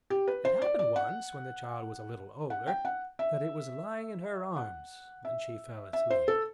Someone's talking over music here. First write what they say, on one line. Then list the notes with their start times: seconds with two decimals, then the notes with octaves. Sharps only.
It happened once when the child was a little older, that it was lying in her arms and she fell asleep.
0.10 G4
0.28 B4
0.45 C5
0.62 D5
0.79 D5
0.96 F#5
2.50 F#5
2.67 G5
2.85 F#5
3.19 E5
4.56 F#5
5.25 E5
5.93 E5
6.10 C5
6.28 A4